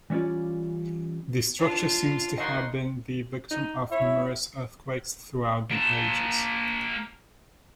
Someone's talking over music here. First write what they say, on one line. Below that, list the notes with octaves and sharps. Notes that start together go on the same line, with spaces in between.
The structure seems to have been the victim of numerous earthquakes throughout the ages.
E3 G3 C#4 F4 D5
D4 F4
D#3 F#4 D#5 C6
D#4
E4 C#5 E5
A#3 A5